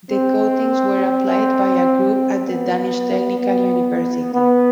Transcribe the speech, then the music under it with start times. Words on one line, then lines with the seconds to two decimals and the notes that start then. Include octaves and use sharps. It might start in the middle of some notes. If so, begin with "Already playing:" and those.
The coatings were applied by a group at the Danish Technical University.
0.10 C4
2.46 B3
3.39 B3
4.34 B3